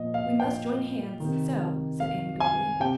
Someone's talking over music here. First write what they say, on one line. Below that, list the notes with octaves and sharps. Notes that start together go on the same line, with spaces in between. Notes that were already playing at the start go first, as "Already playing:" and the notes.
"We must join hands--so," said Anne gravely.
Already playing: A#2 F3 D#5
F5
G5
C3 D#3
F5
G#5
C3 G5